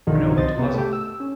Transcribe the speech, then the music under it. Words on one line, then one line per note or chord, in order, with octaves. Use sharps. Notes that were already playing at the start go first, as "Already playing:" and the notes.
Bruno looked puzzled.
B1 G2 D3 D#3 F3 F#3
C2 F2 C5 D#5 A6
C3 B3 G4
A3 G4
E6
C#4